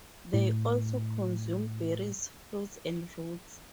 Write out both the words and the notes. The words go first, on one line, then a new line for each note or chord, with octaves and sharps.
They also consume berries, fruits, and roots.
A2